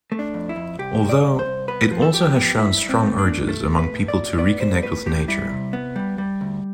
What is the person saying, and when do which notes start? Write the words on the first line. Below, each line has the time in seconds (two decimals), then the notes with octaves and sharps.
Although, it also has shown strong urges among people to reconnect with nature.
0.12 A3
0.19 D4
0.34 F2
0.49 E4
0.56 F2
0.79 C2 G4
1.01 C2
1.09 D5
1.24 C2
1.39 C5
1.46 C2
1.68 B3 B4
1.91 F3
2.02 A4
2.13 F3 G4
2.36 B3
2.58 G2 E4
2.81 G2
2.89 C4
3.03 A3
3.18 D4
3.26 A3
3.48 A3 A4
3.71 A2
3.79 B4
3.94 A2
4.08 D5
4.16 A2
4.38 B3 D5
4.60 G3 C5
4.83 A2 B4
5.06 A2 G4
5.28 G3 E4
5.51 C3
5.73 B3
5.96 G3
6.18 G3
6.41 D2